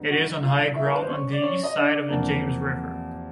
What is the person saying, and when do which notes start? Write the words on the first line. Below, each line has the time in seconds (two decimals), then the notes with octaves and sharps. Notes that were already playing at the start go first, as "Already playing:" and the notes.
It is on high ground on the east side of the James River.
Already playing: G2 D3 G3 B3 D#4
0.09 F#4 F#5
0.42 F4 F5
0.76 E4 E5
0.85 A#4
0.93 B4
1.02 C5
1.09 C#4 C#5
1.32 D5
1.42 C#4 C#5
1.63 D#5
1.76 D4 D5
2.08 E2 C3 F3 A#3